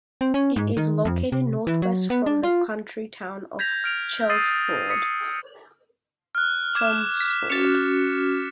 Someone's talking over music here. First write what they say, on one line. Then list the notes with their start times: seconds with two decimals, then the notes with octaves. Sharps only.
It is located Northwest from the county town of Chelmsford.
0.21 C4
0.34 C#4
0.56 G#2
0.77 D#3
1.05 F2
1.32 C3
1.67 E3
1.82 F#3
2.10 B3
2.26 D4
2.44 F4
3.59 G6 G#6 A#6 B6 F7
3.84 F6 D7 F7
4.29 D#6 E6 A6 C7 D#7
4.89 D#6 B6 C#7
6.35 F6 F#6
6.75 D6 G#6 E7
7.20 B6
7.50 C#4 F#4 A6 C#7